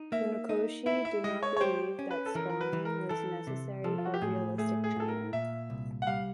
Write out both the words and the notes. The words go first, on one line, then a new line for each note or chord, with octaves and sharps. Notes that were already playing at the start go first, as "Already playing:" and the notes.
Funakoshi did not believe that sparring was necessary for realistic training.
Already playing: D#4
A#3 E5
D#4
E4 E5
E5
G#3 D#5
C#5
C#5
G4 C5
C#4
B4
A4
E3 A#4
A#4
B4
E3
A#4
E3 A4
C3
F3 A4
F4
F#4
G4
A2 G#4
A3 G#4
G#4
A2 A4
A#4
A#2 E5
C2
F#5
G3 F5